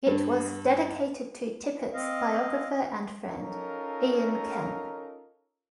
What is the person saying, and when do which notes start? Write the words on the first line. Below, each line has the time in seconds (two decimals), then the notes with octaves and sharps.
It was dedicated to Tippett's biographer and friend, Ian Kemp.
0.07 G2
1.94 C4 D#5 F5
3.32 C#4 D#4 F4 A4 A#4